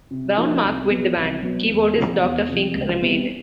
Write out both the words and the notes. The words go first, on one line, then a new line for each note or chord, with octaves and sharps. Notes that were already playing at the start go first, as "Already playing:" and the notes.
Brown Mark quit the band; keyboardist Doctor Fink remained.
C3
F3 A#3 D#4 F#4
C2
B2 F#3 B3
C2
B2 F#3 B3
E2
C3 F3
E2
C3 F3
C#2
B2 G3 C4